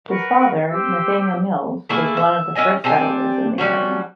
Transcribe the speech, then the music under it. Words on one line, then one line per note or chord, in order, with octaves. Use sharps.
His father, Nathaniel Mills, was one of the first settlers in the area.
A#4 B4 F#5 C#6
G4 C5 E6
A3 A#3 E4 G#4
E5
C#4 E4 D#5 G#5
C4 D4 G4 G#5
F3 G3 C#4 F#4